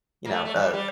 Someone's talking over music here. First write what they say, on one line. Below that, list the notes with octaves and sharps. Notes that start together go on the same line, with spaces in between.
you know, a
A#3
A3
A3
F3
G3
G3